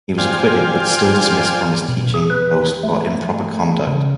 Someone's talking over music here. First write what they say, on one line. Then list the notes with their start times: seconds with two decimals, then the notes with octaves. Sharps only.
He was acquitted, but still dismissed from his teaching post for "improper conduct".
0.18 F4 C5 D5 G5 G#5 F6
1.88 B2
2.14 G#4
2.30 B4
2.83 A3
3.87 C#3